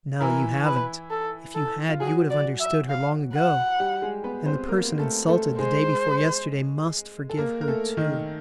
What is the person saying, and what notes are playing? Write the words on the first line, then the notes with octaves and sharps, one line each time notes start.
No, you haven't; if you had, you'd have understood her long ago ... and the person insulted the day before yesterday must forgive her, too!
E3 E4 A#4
B4
A4
A4
F4
F#3 F#4 G#4
D5
E5
F5
F#5
G3 G4
G#3 G#4
B3 B4
C4 C5
A#3 A#4
A3 A4
A3 A4
G#3 G#4 C5
A4
A#3 A#4
A#4
A3 A4
D#3 D#4